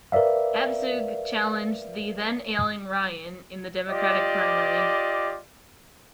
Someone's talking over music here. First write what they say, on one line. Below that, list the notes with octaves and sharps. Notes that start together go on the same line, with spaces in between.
Abzug challenged the then ailing Ryan in the Democratic primary.
A#4 B4 D5 E5 F5
F4 G4 D5 D#5